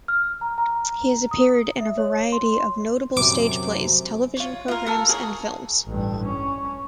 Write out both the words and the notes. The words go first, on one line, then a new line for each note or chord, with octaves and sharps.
He has appeared in a variety of notable stage plays, television programs and films.
F6
A#5
A#5
D#6
E5
C#5
C6
F#2 C3 D6
F4 C#5
F4 A#4
A4 A#4
G#4 A#4 C#5 F#5
A1 G2
C#4